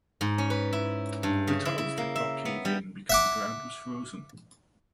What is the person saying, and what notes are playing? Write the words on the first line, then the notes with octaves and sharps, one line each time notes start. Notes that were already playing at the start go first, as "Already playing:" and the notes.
The tunnels did not cave in because the ground was frozen.
G#2
C#4
B4
E4
G2
C#3
E4
E4
A#3
E5
B3
G3
E5 F#5 D6